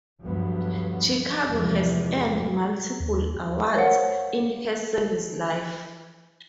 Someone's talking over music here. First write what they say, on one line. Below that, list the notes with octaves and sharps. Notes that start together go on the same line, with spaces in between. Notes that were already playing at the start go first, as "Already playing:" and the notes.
"Chicago" has earned multiple awards in her service life.
D2 G2 F3 F#3 B3
E2 G#2 C3 F3
D#2
A#4 C5 C#5 F5 F#5